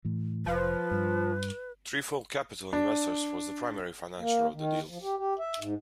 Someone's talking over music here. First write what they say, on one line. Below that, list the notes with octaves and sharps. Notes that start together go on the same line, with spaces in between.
Trefoil Capital Investors was the primary financier of the deal.
A2 E3
F1 F3 B4
G2
D4
A#3
D#3
F3
G4
G4
E5
G#2